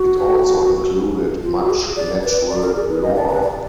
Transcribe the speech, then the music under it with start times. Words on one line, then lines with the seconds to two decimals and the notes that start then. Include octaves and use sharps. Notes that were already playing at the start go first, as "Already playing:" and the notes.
It also included much natural lore.
Already playing: F#4
1.43 F4
1.58 F#4
1.70 G#4
1.96 D5
2.23 B4
2.49 D5
2.62 A#4
2.76 G#4
2.89 B4
3.03 D#5
3.16 D5
3.29 B4
3.43 D5